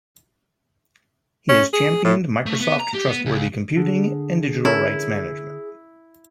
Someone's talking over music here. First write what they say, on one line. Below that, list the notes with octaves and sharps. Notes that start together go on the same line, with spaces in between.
He has championed Microsoft Trustworthy Computing and digital rights management.
C#4
G#4
A2
A3
B3
A#5
G4
B3
C#2
D3 G#4
C#4 E4 A4 A#4